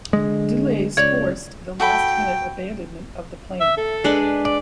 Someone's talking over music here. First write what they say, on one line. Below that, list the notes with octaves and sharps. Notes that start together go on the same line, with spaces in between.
Delays forced the last-minute abandonment of the plan.
D3 G#3
C#2 C#5 D5
F#4 A4 G5 B5
E5
A4
G#3 D4 B4
D5